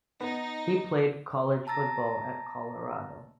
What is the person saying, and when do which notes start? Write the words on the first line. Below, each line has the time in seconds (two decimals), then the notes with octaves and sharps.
He played college football at Colorado.
0.20 B3 D#4
1.67 A5 A#5 E6 A6 A#6